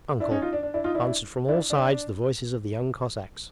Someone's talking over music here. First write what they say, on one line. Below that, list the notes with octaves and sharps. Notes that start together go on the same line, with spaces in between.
Uncle!' answered from all sides the voices of the young Cossacks.
D4 E4
C#4 D#4
D#4 F4
D4
D4
D4 E4
D#4 F4
D4 E4
D4 E4
D4